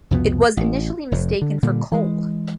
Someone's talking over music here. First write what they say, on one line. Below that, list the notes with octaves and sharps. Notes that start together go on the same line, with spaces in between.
It was initially mistaken for coal.
C2 F2 B2 B3
A1
F1 F2
D3
A#2 D3 G3
E3 G#3